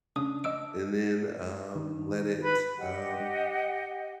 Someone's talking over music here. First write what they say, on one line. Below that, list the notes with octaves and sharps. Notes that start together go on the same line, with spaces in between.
and then, um, let it, um
C#3 D4 D#6
D5 D#5 E6 D7
D#3
B4
G4 D#5 F#5 G5